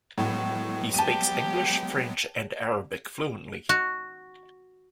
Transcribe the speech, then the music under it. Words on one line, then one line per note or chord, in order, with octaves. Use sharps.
He speaks English, French, and Arabic fluently.
A2 F#3 G#3 B3
G4 A5 D#7
F#4